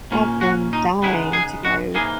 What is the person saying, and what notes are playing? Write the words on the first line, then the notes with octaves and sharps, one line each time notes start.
I've been dying to go.
A#2 A#3 C#4
F#4
D#4
C#3 G#3 B3 D#4 E4
G#4
F#4
G#2 E3 A#3 G#4